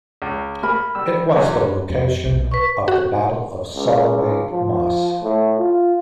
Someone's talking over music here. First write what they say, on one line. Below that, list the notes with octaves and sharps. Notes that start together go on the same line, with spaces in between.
It was the location of the Battle of Solway Moss.
C#2
A#4 B5
G3 E6
E2 F#3
F2
B1
B4 C#6
F#4
C#2
F3
A2
F4